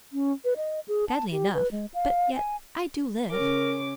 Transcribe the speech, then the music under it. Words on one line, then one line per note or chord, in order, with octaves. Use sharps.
"Badly enough; but yet I do live."
C#4
B4
D#5
G#4
A5
G4
B4
G#3
F5
G#5
C#3 C#4 A#4 D6